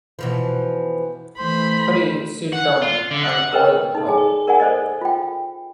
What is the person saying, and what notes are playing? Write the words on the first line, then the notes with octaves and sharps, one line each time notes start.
Pray sit down, I'll call her.
B2 E3 F3
E3 A3 C5 B5
F#5
F4
D3
F#5
A#4 B4 D#5 G5
D#4 A4
G#4 G#5
A#4 D5 F#5 G#5
A4 C5 D5 D#5
F4 G5